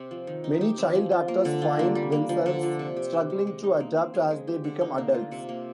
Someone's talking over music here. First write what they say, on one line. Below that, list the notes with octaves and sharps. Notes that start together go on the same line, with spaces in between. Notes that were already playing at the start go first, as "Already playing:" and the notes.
Many child actors find themselves struggling to adapt as they become adults.
Already playing: C3 C4
F3
D#3
D#4
G4
C4
F3
F4
A#3
D3
F4
A#3
G3
A#3
F3
D3
F3
C3
G4
G4
G#3
G#3
D#4
A#3
C4
G#4
G#3
G4
D3
D#4
A#3
F4
C3
A#3